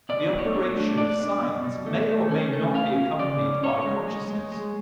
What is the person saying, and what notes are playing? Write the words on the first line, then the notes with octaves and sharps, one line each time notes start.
The operation of signs may or may not be accompanied by consciousness.
B2 D5
B2
C#5
D4
A3
D4 D5
B2
B2
B2
A3
A3
C#4
A3
C#4 F5
C#4
C#3 D5
C#4
C#4 C#5
G#3
G#3
G#3
G#3